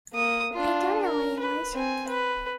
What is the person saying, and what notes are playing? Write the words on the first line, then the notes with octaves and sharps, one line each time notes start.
I don't know what it was.
A#3 D#6
D4 F4
A#4
B4
C4 G#5
B4